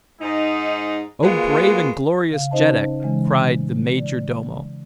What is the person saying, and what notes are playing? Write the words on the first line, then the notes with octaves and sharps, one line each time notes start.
"O brave and glorious jeddak!" cried the major-domo.
G#2 D#4
G#3 A#3 B3 F4 F#4
C#3 F5
C#4 D#4 C5 D#5 A5
C#3 E3 G#3
D5